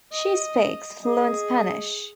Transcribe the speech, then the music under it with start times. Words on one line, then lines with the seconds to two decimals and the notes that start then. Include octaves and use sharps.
She speaks fluent Spanish.
0.12 D#5
1.04 G#4 D#5